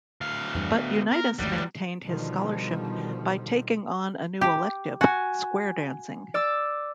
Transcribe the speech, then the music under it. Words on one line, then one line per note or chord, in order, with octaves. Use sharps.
But Unitas maintained his scholarship by taking on a new elective: square dancing.
D2 F5
E2 G2
B3
A#4
G1 D#2 F#3 G3 A3
B2 D3 D#3 F3 G3
G4
F#4 G#5
D5 D6 E6